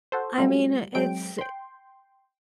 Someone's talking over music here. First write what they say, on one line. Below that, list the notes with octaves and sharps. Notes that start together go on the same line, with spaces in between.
I mean, it's
F#4 A4 C5
F#3 G3 A3 C4 F4
F#3 G#3 C4 G5 D7
G5 C6